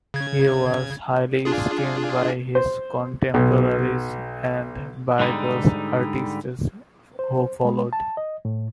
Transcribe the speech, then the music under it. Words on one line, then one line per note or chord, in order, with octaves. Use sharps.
He was highly esteemed by his contemporaries and by those artists who followed.
C#3 G#6
D4 F4 G#4
C5
B1
G#2 D3 G3 D#4
C5
G#3
A5
D#5
A2